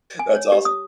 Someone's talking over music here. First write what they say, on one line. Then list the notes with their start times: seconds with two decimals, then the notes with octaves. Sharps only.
that's awesome.
0.19 G#5
0.35 C#5
0.52 G4
0.65 D#6